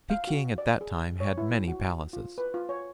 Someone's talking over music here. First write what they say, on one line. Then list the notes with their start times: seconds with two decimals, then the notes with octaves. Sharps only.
Peking at that time had many palaces.
0.10 F5
0.27 F#4
0.58 D5
0.81 G#4
1.20 C#5
1.38 E4
1.68 F#4
2.13 F4
2.38 B4
2.54 F4
2.69 C#5